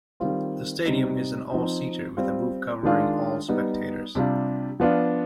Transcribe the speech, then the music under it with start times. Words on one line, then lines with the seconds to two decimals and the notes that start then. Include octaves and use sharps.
The stadium is an all-seater, with a roof covering all spectators.
0.20 D#3 G3 C4 F4
0.86 C3 G3 C4 D#4
1.51 F3 C4 D#4
2.17 G3 C4 F4
2.83 D#3 G#3 D4 F4
3.49 G3 B3 D#4
4.15 C3 G3 D4 F4
4.80 F3 B3 D4 F4